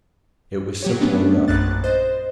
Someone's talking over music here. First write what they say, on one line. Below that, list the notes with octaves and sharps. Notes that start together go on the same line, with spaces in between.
It was simple enough.
F#3 G4 C#5
A3 B3 C#4 D4
A#1 F#2 F#6 A6
C5 D#5